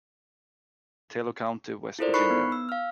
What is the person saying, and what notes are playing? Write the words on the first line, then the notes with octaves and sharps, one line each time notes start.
Taylor County, West Virginia.
E4 F4 A4 A#4 C5 D5
D#4 B5 C#6 F#6 C7 C#7
B3
E6
F5 F6